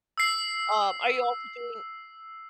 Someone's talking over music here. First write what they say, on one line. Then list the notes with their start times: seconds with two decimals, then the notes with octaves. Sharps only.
Um, are you also doing
0.18 E6 C7